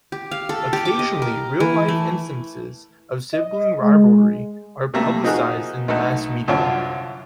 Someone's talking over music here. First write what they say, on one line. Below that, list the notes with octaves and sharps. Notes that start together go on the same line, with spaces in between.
Occasionally real life instances of sibling rivalry are publicized in the mass media.
G4
F5
A4
G4
D6
D#5
A#4
E3
A3
D#5
G#3
C3 G3 A3 A#3
F3 D#4 F#4 G#4 A#4 F#6
B1 A3 D#4 F#5
C2 F#2 D3 F4 C#5 A5